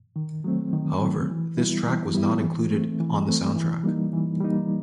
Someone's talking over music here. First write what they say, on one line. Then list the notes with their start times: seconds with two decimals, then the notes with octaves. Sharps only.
However this track was not included on the soundtrack.
0.16 D#3
0.44 F#3 A3 C4
0.73 D#3
1.01 F#3 A3 C4
1.30 E3
1.58 G3 B3 E4
1.86 E3
2.15 G3 B3 E4
2.43 E3
2.71 A3 C4
3.00 E3
3.27 A3 C4
3.56 E3
3.84 G3 A#3 D#4
4.13 E3
4.41 G3 A#3 D#4